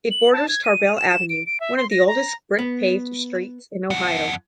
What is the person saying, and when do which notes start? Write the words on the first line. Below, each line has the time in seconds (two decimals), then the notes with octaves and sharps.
It borders Tarbell Avenue, one of the oldest brick-paved streets in Ohio.
0.11 F#7
0.33 A5
0.49 G#6
0.65 D#7
0.97 E7
1.09 E7
1.30 D7
1.46 D7
1.60 E5
1.77 C6
1.91 A#6
2.08 A#5
2.59 B3
3.90 F2 F#5